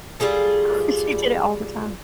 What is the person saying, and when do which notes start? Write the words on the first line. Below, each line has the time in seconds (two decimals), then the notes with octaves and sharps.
Well, she did it all the time.
0.20 G3 F4 G#4 A4